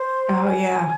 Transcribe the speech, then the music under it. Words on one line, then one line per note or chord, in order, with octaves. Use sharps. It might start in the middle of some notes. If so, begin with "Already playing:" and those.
Oh, yeah.
Already playing: C5
G#5